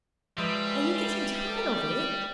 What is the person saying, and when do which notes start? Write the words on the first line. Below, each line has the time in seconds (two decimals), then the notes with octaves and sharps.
Are you getting tired of it?'
0.38 F3 G3 G#3 B4 E5 F5